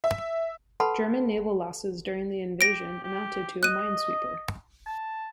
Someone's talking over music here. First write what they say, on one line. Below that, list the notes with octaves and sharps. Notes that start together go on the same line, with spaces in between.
German naval losses during the invasion amounted to a minesweeper.
E5
A4 B4 F#5 A5 B5 C6
G4 A#6 D7
G4
D#5 F#6 D#7
A5